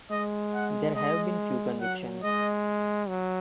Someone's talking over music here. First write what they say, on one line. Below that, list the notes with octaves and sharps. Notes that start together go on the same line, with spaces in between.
There have been few convictions.
G#3 D#5
F#5
G#3 D#5
F#3 F#5
G#3 D#5
F#3